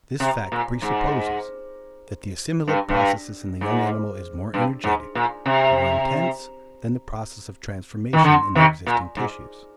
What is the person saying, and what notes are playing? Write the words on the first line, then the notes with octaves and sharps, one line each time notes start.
This fact presupposes, that the assimilative process in the young animal is more energetic, more intense, than the process of transformation in the existing tissues.
C3
A#2
G#2
G2
G2
G#2
G2
G#2
A#2
C3
D#3
D3
C3 D#3
A#2
G#2